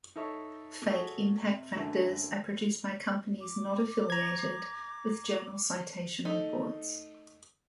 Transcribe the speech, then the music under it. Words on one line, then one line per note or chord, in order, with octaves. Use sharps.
Fake impact factors are produced by companies not affiliated with Journal Citation Reports.
D#4 E4 A4 C#5 E5
F#4 G#4 A4 C#5 E5
C3
F#2 D3 E3 A3
D6
A#5 G#6
A3 D#4